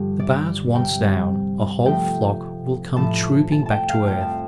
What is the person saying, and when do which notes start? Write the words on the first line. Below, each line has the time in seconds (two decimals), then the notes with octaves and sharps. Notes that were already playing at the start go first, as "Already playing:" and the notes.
The bars once down, a whole flock will come trooping back to earth.
Already playing: G2 D3 F3 G4
0.19 D5
0.75 C3 G3 G5
1.85 C3 F3 A3 G5
2.96 A2 F3 A3 A5
3.52 A5
3.66 G5 A5
3.89 F5
4.07 F2 F3 A3 G5
4.21 A5